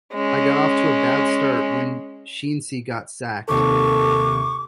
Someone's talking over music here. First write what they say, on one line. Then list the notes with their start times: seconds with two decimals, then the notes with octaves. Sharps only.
I got off to a bad start when Sheensy got sacked.
0.14 G#3 C#4
3.49 D#2 C3 D#3 A4 C#6 D6